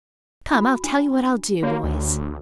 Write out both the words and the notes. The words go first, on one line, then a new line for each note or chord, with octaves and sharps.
"Come, I'll tell you what I'll do, boys."
F#4 B5
D4
A#3 F#4 G4 C#5
D2